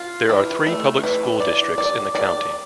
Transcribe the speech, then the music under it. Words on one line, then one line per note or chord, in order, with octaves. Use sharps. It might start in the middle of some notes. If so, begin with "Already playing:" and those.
There are three public school districts in the county.
Already playing: F4
E3
A3
E3
D5
D5
D5